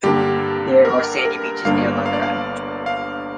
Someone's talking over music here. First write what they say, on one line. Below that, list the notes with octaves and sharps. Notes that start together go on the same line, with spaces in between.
There are sandy beaches near Lankaran.
G2 D3 A#3 D4 G4
A#4
A#4
G1 G2 G3 A#3 D4 F5
F5
D5
F5
F5